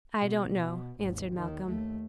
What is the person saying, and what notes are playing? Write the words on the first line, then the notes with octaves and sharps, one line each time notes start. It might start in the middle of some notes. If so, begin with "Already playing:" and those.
"I don't know," answered Malcolm.
B2
B2
G#1 D#2
D#2 D#3
D#2 A3